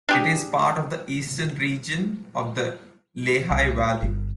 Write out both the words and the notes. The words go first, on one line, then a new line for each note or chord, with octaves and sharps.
It is part of the eastern region of the Lehigh Valley.
D4 G4 G#4
C2
G1